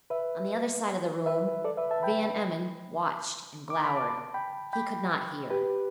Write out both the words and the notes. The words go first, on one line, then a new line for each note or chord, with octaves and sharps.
On the other side of the room, Van Emmon watched and glowered; he could not hear.
B4 E5
B4 E5
A4 D5
B4 E5
E5 A5
G5 B5
D6
B5
A5 D6
G5 B5
G5 B5
G4 B4